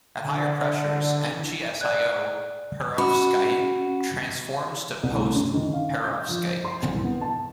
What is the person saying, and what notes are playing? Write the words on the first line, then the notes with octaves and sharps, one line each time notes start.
At higher pressures, MgSiO perovskite transforms to post-perovskite.
D3
D5 F#6
C#4 F#4 B5
C2
A3
F#2
D#3
F5
G6
F3
C5
C6
C2
B3
A5